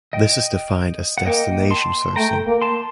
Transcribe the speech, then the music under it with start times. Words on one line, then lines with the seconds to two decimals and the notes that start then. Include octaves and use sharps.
This is defined as "destination" sourcing.
0.13 D#5 G5
1.18 F#5
1.26 A#3 D#5 G5
1.71 A5 C6
2.16 A3 G5 A#5
2.47 A#3
2.62 A5 C6